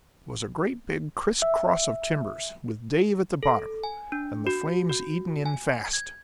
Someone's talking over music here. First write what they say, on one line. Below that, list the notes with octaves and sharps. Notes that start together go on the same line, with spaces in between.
It was a great big criss-cross of timbers, with Dave at the bottom, and the flames eating in fast.
E5
A4
G#5
D4
F#4
F#4
G#5
G#6